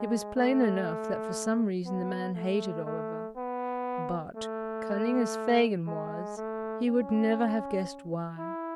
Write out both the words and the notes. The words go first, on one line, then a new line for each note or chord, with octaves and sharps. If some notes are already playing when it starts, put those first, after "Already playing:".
It was plain enough that for some reason the man hated Oliver, but, cunning as Fagin was, he would never have guessed why.
Already playing: G#3
A3
B3
A3
A3
B3
A3
G#3
A3
C#4
E4